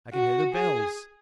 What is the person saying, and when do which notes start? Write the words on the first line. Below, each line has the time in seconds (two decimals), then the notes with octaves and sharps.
I can hear the bells!...
0.13 F#4
0.53 G#4